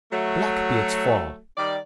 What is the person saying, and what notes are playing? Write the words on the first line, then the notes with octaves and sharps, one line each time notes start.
Black be its fall!
F#3 A3
D#3 G3 D5